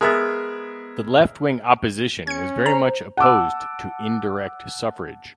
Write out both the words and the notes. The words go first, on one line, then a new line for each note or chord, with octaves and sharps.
The left wing opposition was very much opposed to indirect suffrage.
G#3 B3 G#4 A#4 E5
C#4 G#6 C#7
C5 A#5
F#5 A5 D6 E6